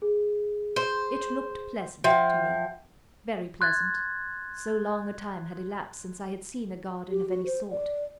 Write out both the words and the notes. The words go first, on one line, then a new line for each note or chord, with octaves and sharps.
It looked pleasant, to me--very pleasant, so long a time had elapsed since I had seen a garden of any sort.
G#4
C5
F3 E5 F#5 G5
C6 F#6 G#6 A6
G4
F#4
C5
D5